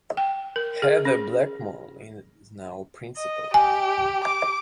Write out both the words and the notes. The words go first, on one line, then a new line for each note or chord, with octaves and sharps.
Heather Blackmon is now principal.
G5
A#4
G#4
C#4
D#5
G4 G#5
D6